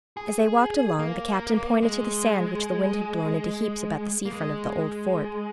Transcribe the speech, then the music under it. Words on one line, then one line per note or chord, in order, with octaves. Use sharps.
As they walked along the Captain pointed to the sand which the wind had blown into heaps about the sea-front of the old fort.
G#4
A#3
G#3
A#3
G#3